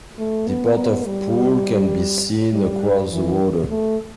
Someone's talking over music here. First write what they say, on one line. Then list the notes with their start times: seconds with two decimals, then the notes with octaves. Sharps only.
The Port of Poole can be seen across the water.
0.18 A3
0.48 B3
0.76 B3
1.06 G3
2.53 G3
3.11 E3
3.70 A3